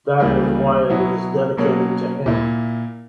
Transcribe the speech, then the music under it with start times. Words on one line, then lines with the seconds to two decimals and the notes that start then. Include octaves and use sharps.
That is why it is dedicated to him.
0.20 C#2 C#3 E3 G3 A#3
0.89 B2 F#3 B3 E4
1.57 B2 F#3 A#3 C#4
2.26 A#2 A#3 E4